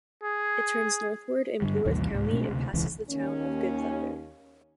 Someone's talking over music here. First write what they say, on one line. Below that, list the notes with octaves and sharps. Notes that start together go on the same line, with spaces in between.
It turns northward in Blue Earth County and passes the town of Good Thunder.
G#4
G2 D3 G3
A1 D#2 C3 G3
C2 G#2
B2 A3 C4 D4
D2 C3
E1 C#2 E3 C#4
D#2 C#4